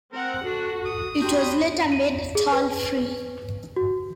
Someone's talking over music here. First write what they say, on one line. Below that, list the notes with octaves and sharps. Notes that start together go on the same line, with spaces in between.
It was later made toll free.
C4 A#4 F#5
D4 F#4 A4
D#6
D4 F#4 G4 B5 C6 G6
D#7
G#4
B4
F#4